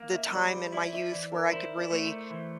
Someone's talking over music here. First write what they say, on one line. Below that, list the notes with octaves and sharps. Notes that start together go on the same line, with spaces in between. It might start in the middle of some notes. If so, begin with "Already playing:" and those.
the time in my youth where I could really,
Already playing: A#3
E5
E5
G3 D5
C5
E4 D5
E5
E3 D5
A#4
E4 C5
D5
A3
C5
E3